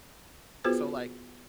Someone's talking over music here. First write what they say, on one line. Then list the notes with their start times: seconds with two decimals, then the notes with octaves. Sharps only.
So like
0.64 B3 F4 F#4 G#4 B4 C5